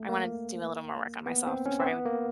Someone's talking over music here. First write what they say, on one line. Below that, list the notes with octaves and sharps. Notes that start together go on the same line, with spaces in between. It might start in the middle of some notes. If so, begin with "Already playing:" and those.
I wanna do a little more work on myself before I would
Already playing: A3
A#3
B3
C4
C#4
C4
B3
A#3